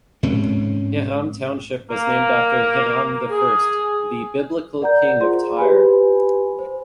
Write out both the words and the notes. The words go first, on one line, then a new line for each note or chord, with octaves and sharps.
Hiram Township was named after Hiram I, the biblical king of Tyre.
G#2 C4 C#4
A#3
G#4
A#4 D5 F#5 A#5 G6
F4 G#4 C5 C6
G4 B4 G#5 B5
C5